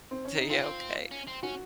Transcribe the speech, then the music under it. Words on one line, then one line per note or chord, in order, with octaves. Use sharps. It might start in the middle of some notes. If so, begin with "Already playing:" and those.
Tuh yeah, okay.
C4
C#4
D#4
C4 F4
C#4
C4
C#4 F#4